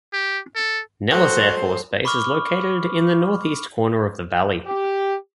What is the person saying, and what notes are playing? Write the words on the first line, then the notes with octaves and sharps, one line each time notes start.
Nellis Air Force Base is located in the northeast corner of the valley.
G4
A4
A2 F#3 F#4 C5
B5 C#6 D6 F6
G4